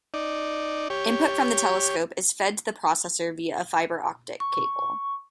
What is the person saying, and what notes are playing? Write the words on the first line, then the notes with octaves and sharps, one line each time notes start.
Input from the telescope is fed to the processor via a fiber optic cable.
D#4 D5
G4 C#5
C#6